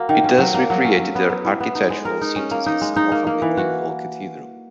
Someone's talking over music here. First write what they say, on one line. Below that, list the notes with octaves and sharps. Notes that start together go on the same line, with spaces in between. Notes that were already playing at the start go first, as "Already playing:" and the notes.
He thus recreated the architectural synthesis of a medieval cathedral.
Already playing: A#3 F#4
D#3
C#4
F#3
A#3
F#3
C#4
F#3
B3
F#3
E4
B3
D#4
G#3
A#4
D#4
C#4
A#3
D#4
G#3
D#4
A#3
A#3
E3
F#4